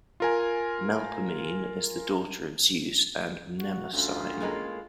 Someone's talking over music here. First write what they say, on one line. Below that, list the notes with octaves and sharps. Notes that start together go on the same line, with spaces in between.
Melpomene is the daughter of Zeus and Mnemosyne.
F4 A#4 G#5
F#4
D2 C#4 F4
A2 G#3 A#3